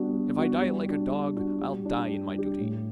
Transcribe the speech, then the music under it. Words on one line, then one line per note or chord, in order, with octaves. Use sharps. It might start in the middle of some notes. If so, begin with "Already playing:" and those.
If I die like a dog, I'll die in my dooty.
Already playing: G3 B3 D4 F#4
G3
B3 D4 F#4
G3
D4 F#4
G3
D4 F#4
G3
D4 G4
G3
D4 G4
A2